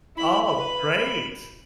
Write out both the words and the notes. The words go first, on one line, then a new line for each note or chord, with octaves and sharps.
Oh, great.
E4 B5
B5
B5
B4